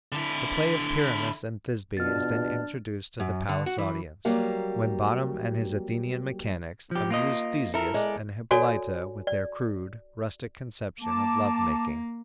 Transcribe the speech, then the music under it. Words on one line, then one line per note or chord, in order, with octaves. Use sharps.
The play of Pyramus and Thisby is then introduced to the palace audience, when Bottom and his Athenian mechanics amuse Theseus and Hippolyta with their crude, rustic conception of love-making.
D3 E4
E2 B2 D4 F4 F6 A6
F#2
D3
F#4
E3
F#3 G3 A#3 F5
F3 G4
A#3 F4 D#5
E4 A4 A#4
G#3 D5
F#4 A4 C#5 D5 G#5
D5
A#3 A5 D6